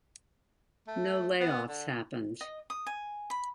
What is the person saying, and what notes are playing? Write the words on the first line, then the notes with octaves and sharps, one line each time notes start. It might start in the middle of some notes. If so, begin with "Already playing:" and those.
No layoffs happened.
A3
B3
D3
D#5
D#6
G#5
B5